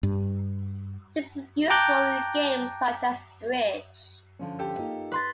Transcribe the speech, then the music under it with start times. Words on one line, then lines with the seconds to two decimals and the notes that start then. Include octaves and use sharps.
This is useful in games such as bridge.
0.03 G2
1.70 G5 A5 A#5 D6 F#6 G6
4.39 D3 F3 C#4
4.59 G4 A4
4.79 A#3 D#4 F4
5.12 B4 C6 A6